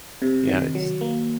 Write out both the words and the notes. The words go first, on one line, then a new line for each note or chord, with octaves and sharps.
you know, it's
C3
D#3
F#3
A#3